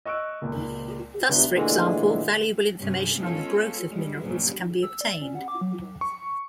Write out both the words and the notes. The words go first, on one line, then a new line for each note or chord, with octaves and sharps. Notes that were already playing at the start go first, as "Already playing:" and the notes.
Thus, for example, valuable information on the growth of minerals can be obtained.
D#5 C#6 E6 F#6 D7
C#2 A#2
C#2 B3 D4 G4 E5 G7
A#2 D3 E3 G#3 A3
G2 C3 C#4
G#3 B3 C#4 F4 A4
G3 G#3
G2 A#2 C#3 F#3 B3
E6
D5
C#4
F#5
D6
F#3
C#6